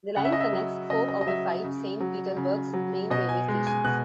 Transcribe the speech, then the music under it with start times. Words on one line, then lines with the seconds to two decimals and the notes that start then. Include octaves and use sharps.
The line connects four out of five Saint Petersburg's main railway stations.
0.16 C#3 F#5
0.25 E5
0.32 D#5
0.40 E5
0.53 F#3
0.90 C#3 D#5
1.09 D#5
1.21 D#5
1.27 F#3 E5
1.64 C#3
2.00 F#3
2.37 C#3
2.74 F#3
3.10 B2 D#5
3.29 G#5
3.48 G#3
3.67 G#5
3.84 B2 F#6